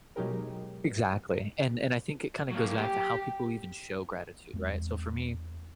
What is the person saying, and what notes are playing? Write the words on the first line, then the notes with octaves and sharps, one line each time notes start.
Exactly, and and I think it kinda goes back to how people even show gratitude, right? So for me,
B2 F#3 G#3 D#4 G4 A#4
F#3 A#3
G4
E2 G#3 C4